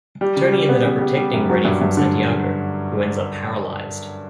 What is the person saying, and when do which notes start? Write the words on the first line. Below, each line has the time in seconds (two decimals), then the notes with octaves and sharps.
Tony ended up protecting Reny from Santiago, who ends up paralyzed.
0.21 G3
0.36 C#3
0.53 G3
0.69 B3
0.85 C#3
1.01 G3
1.17 G3
1.33 F#2
1.50 F#3
1.65 G2
1.81 G2
1.97 D3